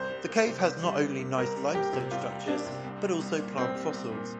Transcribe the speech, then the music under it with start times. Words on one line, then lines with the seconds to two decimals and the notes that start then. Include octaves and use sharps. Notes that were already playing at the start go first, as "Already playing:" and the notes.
The cave has not only nice limestone structures, but also plant fossils.
Already playing: C2 C5
0.10 G3
0.28 A#3
0.46 C3
0.65 C2
0.83 G3
1.01 A#3
1.19 C3
1.38 C2 A#4
1.56 G3
1.74 A#3 G4
1.93 C3
2.11 C2 F4
2.29 G3
2.48 A#3 D4
2.66 C3
2.84 C2
3.03 G3
3.21 C2
3.39 A#2
3.58 C2 C4
3.76 G3
3.94 C2
4.12 A#2